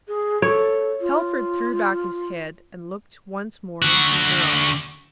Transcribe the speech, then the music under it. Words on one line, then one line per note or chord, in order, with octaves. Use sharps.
Telford threw back his head and looked once more into her eyes.
G#4
A4 C#5
F4
D3 F#4